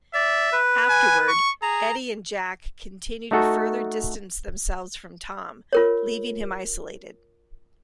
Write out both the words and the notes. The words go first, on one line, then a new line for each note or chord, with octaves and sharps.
Afterward, Edie and Jack continue to further distance themselves from Tom, leaving him isolated.
D5 E5
B4
G#5
C#6
G#4 A#5
A3 D#4 F#4 A4
F4 A#4 C#5